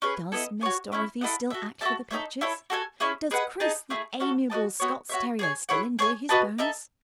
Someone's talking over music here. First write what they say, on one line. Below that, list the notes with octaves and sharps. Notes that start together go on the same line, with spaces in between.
Does Miss Dorothy still act for the pictures? Does Chris, the amiable Scots terrier, still enjoy his bones?
C#4 G#4 B4
B3 E4 A4 D#5
F#4 C#5 G#5
A3 C#4 E4
E4 A4 D#5 F#5
F#4 A4 E5
F#4 A4 E5 A5
D#4 A4 C#5 E5
E4 A4 C#5
F#4 A4 E5 G#5
C#4 E4 G#4
G#4 B4 D#5 F#5
D#4 G#4 D#5 A5
A3 E4 G#4
C#4 F#4 A4
F#4 B4 D#5 A5
B3 F#4 C#5
F#4 C#5 E5
G#4 C#5 G#5
E4 G#4 C#5 F#5
G#4 C#5 G#5
F#4 B4 D#5 A5
D#4 A4 E5 A5